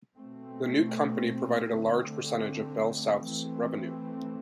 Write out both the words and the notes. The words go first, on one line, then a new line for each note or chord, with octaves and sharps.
The new company provided a large percentage of BellSouth's revenue.
B2 A3 C4
D3 A3 C4
E3 A3 C4